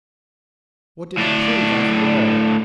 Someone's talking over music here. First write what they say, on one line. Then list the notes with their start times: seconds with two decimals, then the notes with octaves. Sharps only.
What did it prove after all?
1.18 A2 D4